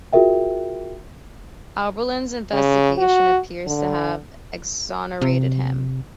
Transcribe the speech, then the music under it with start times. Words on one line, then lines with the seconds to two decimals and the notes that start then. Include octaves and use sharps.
Abberline's investigation appears to have exonerated him.
0.13 F4 F#4 G#4 A#4 E5 G5
2.53 C#3
2.98 F#4
3.67 D3
5.21 C3